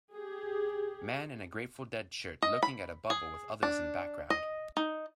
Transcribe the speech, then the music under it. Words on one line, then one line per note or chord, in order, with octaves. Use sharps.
Man in a Grateful Dead shirt looking at a bubble with others in background.
G4 G#4
D#5
B5
G#4
D4
D#5
D#4